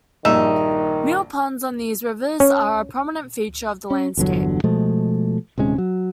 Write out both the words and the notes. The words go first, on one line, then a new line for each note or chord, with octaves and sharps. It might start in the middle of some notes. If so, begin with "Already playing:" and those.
Mill ponds on these rivers are a prominent feature of the landscape.
A#1 G2 D#3 D#4 E5
C#4
C#4
G1 E2 D3 F#3
B2 F3 G#3 A3
D#1 C3 G#3 C#4
F#3